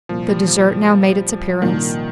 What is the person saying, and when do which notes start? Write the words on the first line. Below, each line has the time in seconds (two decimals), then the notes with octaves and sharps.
The dessert now made its appearance.
0.09 C2 A#2 F3 A#3
0.29 G3
0.47 F3
1.62 C2 A#2 D#3 F3 A#3